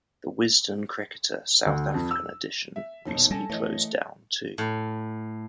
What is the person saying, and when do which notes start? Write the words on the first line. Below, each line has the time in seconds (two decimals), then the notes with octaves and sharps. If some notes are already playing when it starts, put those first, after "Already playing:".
"The Wisden Cricketer: South African edition" recently closed down, too.
1.66 D2
1.94 F2
2.11 E6
2.76 E5
3.05 F1 D#2 B2 D#4 A5
3.31 G3 C#4 A4 G#5 A5 A#6
3.49 F#2 E3 A3 D#5
4.58 A2